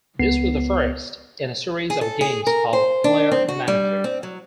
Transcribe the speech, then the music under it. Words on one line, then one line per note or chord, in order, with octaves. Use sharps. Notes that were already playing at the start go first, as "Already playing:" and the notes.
This was the first in a series of games called "Player Manager".
C#2 B3 C7
G#4
A4
G#4
A#4
C5
D4
C4
F#4
G3
C4
F#3